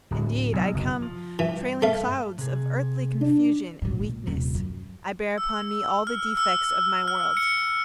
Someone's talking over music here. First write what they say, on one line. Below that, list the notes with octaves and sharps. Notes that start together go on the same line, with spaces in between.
Indeed, I come, trailing clouds of earthly confusion and weakness; I bear upon me all the defects of my world.
D1
B1
F#1
F3
G2 E3
A3 F5
C3 G#4
D4 D5
A#1 G#2
A#2
D#1 C3
F#2
E6
F6
E6
F6
C#7